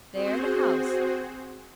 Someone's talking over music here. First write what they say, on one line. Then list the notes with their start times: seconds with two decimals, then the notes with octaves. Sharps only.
There the house.
0.11 C4 F#4 G#4 C5